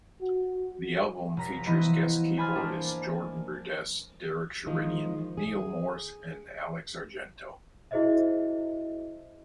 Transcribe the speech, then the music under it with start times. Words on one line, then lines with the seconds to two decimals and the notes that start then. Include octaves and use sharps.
The album features guest keyboardists Jordan Rudess, Derek Sherinian, Neal Morse, and Alex Argento.
0.21 F#4
1.37 F1 A#5 B6
1.66 E3 F3 B3 E4 D#5
2.37 C5 G#5 B5 D#6 F6 A6
2.55 A#3 D4
4.67 D#3 F3 G#3
5.37 G#4
7.91 E4 F#4 G#4 C5 D#5 E5